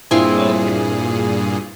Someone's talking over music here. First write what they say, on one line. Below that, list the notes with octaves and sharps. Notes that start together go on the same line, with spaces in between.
oh okay.
G2 A#2 C4 E4 G#4 F5